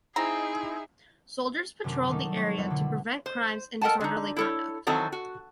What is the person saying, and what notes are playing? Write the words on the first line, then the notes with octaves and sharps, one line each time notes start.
Soldiers patrolled the area to prevent crimes and disorderly conduct.
C4 D#4 E4 G#4 A#5
F#2 C3 D#3 A3 A#3 D4
D#3 F#3 G3 D#4 A4
G3 C4 C#5
F2 B3 F4 E5 F#5
B2 D3
C5
A4 A#4 D#5 F#5 G5 A5
D3 D#4
E4 A4 C#5
D#3 E3 F#3 C4 F#4 A4
F#4